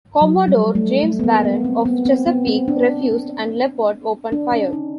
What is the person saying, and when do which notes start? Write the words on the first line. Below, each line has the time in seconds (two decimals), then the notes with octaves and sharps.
Commodore James Barron of "Chesapeake" refused and "Leopard" opened fire.
0.21 F#3
0.48 G3
0.75 A3
1.03 A3
1.19 B3
1.24 A#3
1.44 B3
1.64 C4
1.85 B3
2.06 C4
2.26 B3
2.47 C4
2.68 D4
4.32 D4
4.52 C#4
4.73 D#4